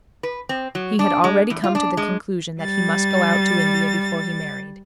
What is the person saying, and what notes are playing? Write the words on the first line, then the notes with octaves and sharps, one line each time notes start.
He had already come to the conclusion that he must go out to India before he married.
B4
C4
F#3
D4
G#3
E2
F4
D4
G#3
G3 A6